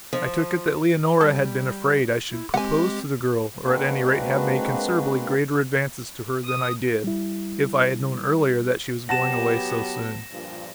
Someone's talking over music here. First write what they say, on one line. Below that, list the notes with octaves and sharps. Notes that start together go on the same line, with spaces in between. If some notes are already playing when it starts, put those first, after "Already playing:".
I took it that Leonora had been afraid I should propose to the girl or, at any rate, have made considerably greater advances to her than I did, if I had known earlier that she was going away so soon.
F3
G3 A4
E4
G#3 C4 G4 F#5 G#5
G#3 A#3 C4 D4 F#4 B4
D#6
G3 E4
F#3 B3 G4 F#5 A5 A6 A#6 E7
G2 A#2 F3